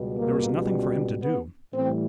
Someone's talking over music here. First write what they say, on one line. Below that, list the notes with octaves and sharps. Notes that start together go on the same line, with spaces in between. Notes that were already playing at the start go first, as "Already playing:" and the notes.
There was nothing for him to do.
Already playing: C#2 B2 G3
A#3
B3
A2 E3 G3 C4